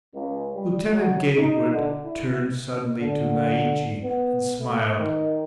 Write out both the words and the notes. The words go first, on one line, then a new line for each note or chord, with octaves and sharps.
Lieutenant Gatewood turned suddenly to Naiche and smiled.
C#2
G3
F#3
D#4
D3
E4
D3
B3
A3
D#3